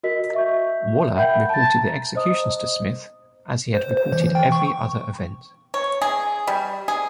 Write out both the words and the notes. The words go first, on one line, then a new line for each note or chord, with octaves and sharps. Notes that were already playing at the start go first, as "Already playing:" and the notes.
Waller reported the executions to Smith, as he had reported every other event.
F#4 A#4 D#5 B6
E5 C#6 G6
A#4 E5 F#5 G5 B5 G6
A5 A6
A#5
C5 D#5 D#6
C5
C5
E3
G5
C#6
C#5
G#4
G3
G#4